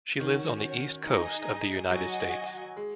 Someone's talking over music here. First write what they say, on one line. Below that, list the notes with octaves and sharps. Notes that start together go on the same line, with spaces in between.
She lives on the East Coast of the United States.
D#3 C#4 F#4 C#5
D#4 G#4 D#5 G#5
F#3 F#4 D#5 G#5
G#3